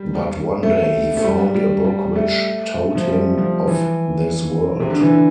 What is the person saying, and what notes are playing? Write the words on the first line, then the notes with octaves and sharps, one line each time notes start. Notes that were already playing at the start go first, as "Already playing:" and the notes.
But one day he found a book which told him of this world.
Already playing: G3
A3
A3
G3
G3
G3
A3
F3
G3
F3
E3
C3
D3
E3
D3